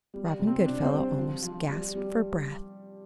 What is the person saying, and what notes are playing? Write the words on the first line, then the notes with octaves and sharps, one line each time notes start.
Robin Goodfellow almost gasped for breath.
G3
C3
C4
C3 D4
C4 C5
G3
F3
F3
G3
G3